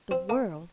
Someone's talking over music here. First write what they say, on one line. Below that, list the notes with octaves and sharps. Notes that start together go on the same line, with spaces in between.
The world!
C4
A#3